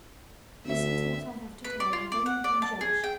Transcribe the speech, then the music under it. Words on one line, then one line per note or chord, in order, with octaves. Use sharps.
Listen to what I have to tell and then you can judge.
D2 E5
B4
D5
F4
D5
F#5
D5
A5
G#4
G5